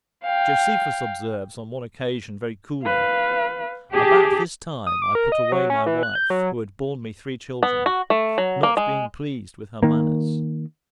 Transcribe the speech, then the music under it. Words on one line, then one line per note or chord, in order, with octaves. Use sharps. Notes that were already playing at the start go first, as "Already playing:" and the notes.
Josephus observes, on one occasion, very coolly,--"About this time I put away my wife, who had borne me three children, not being pleased with her manners."
F5 G5
B4 F5
G4 G#4 A5
D#6
D6
A#4
D#5
F#3
C#4
E3
F#6
G6
F#3
B3
F#4
A3
F#3
A#3
G#3
D#3 A#3